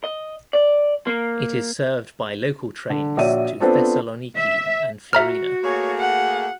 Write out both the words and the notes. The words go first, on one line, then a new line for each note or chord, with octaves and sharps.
It is served by local trains to Thessaloniki and Florina.
D#5
D5
A#3
D3
A#1 F#4 C#5 D5 E5 D#7
B3 C4 D4 F4 A4 C5
E5
F#4 E5 A#5 F6
A3 A#3 G#4 C#5
F#5